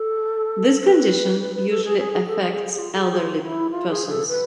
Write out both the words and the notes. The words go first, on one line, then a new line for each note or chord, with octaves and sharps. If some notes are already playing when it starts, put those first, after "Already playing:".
This condition usually affects elderly persons.
Already playing: A4
B4
B4
B4
A4
G#4
G#4
G#4
A4
G#4
G#4
G#4
F4
A4
G#4
G#4
F4
E4
F4
G#4
A4
B4